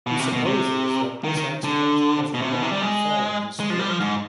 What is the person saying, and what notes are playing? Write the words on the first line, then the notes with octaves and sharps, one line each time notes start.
He supposes that this accident has really befallen his spirit.
B2
C3
B2
C3
D#3
D#3
D3
B2
C3
B2
C3
G3
G#3
G#3
F3
G3
F3
G#2